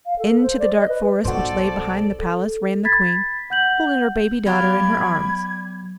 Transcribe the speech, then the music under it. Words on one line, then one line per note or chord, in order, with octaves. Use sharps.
Into the dark forest which lay behind the palace ran the Queen, holding her baby daughter in her arms.
F5
A4
C5
D5
D#5
B4
B1 B2 F#4 A4 C5 D5
A4
B5 G#6 A6 B6
F#5 G6 F#7
F#3 B3 G4 D5 F5 B5 G#6